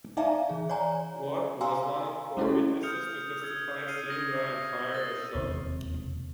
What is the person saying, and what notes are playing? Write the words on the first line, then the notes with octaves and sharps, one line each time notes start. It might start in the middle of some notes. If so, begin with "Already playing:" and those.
Watt was one of four witnesses to testify seeing Ryan fire a shot.
D#4 D5 E5 F5 G#5 A#5
E3 G#4
C#5 D5 G#5 A#5
G4 F5 G#5 A#5 C6 E6
A3 C#4 E4 F#4 G4 A4
D#6 F6 G6 C#7 F7
D#6 E6 G#6
F6 C7 D#7
D#6 G#6 A#6
C7
E6 A6
E1 D#2 C3